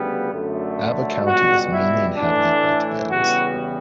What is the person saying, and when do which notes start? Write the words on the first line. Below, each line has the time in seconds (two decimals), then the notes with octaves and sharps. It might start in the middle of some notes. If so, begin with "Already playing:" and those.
Aba County is mainly inhabited by Tibetans.
Already playing: D2 C#3 G3 B3
0.31 F#2 D3 A3
1.24 C#2 B2 G3 F#4
1.71 E4
2.17 A2 E3 A3 D4
3.10 E2 C#3 E3 G3 B3 F#4